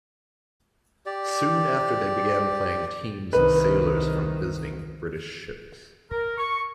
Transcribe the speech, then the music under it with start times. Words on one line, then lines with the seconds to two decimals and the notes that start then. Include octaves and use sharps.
Soon after they began playing teams of sailors from visiting British ships.
1.06 G4 D5
3.33 C2 D#3 B4
6.10 A#4
6.38 C#6